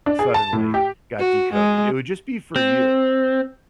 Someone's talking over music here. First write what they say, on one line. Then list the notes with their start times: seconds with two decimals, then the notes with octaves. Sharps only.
suddenly got decoded, it would just be for you.
0.06 D4
0.19 G#4
0.34 A5
0.53 A2
0.74 G4
1.19 F#4
1.53 G#3
2.56 C4